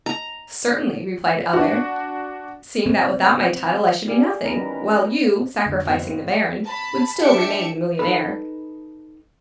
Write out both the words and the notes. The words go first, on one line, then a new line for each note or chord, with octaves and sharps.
"Certainly," replied Albert, "seeing that without my title I should be nothing; while you, sacrificing the baron, would still remain the millionaire."
A#5
D4 F#4
C4
G3 G#4 F5
D#3 E3 A#3 C#4 A#4 B4
F2 D3 D4
B2 A#3 C4
G2
A5 B5
D4 G4 E5 A5 C#7 D7
D#4 A4 B4